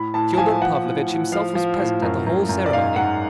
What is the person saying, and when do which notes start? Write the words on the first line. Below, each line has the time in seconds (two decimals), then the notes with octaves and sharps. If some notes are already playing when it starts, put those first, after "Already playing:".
Fyodor Pavlovitch himself was present at the whole ceremony.
Already playing: A2 B5
0.14 A2 A5
0.34 A5
0.37 F3 G#5
0.62 F3 F#5
0.85 A2
1.08 A2
1.32 F3 F5
1.55 F3
1.79 A2
2.02 F#2
2.27 F#2
2.49 F#2
2.66 D5
2.73 G#2 F5
2.96 G#2 F#5